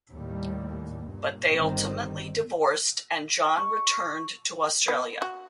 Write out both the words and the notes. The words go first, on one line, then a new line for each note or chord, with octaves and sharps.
But they ultimately divorced, and John returned to Australia.
D#2 A2 G3
G2 A#2
G1 D#3 G3 C4
C#6
B3
F#4